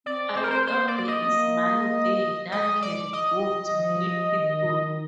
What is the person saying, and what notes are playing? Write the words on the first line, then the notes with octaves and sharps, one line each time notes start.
I thought there is money there that can go to help people.
C4 D5
C5
A#4
C5
A#3 C5
D5
D5
D#5
C4
A#3
G#3 D#5
D5
D#5
F3
D#3